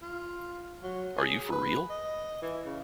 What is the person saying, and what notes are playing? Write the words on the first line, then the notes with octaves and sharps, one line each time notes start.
Are You for Real?
F4
F#3
G#4
B4
D#5
E3
C#3